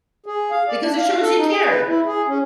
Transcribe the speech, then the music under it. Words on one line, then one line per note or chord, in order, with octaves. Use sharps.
Because it shows you cared.
G#4
F5
D5
D4
F5
A4
D#4
G#4
B4
E4
G#4
C#4